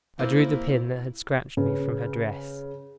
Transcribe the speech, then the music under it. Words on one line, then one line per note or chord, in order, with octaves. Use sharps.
I drew the pin that had scratched me from her dress.
C3 A#3 E4
C#3 B4